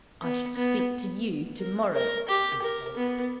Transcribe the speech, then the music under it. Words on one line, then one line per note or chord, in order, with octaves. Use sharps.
'I shall speak to you tomorrow,' he said.
B3
B3
A#4
A#4
G4
A#4
B3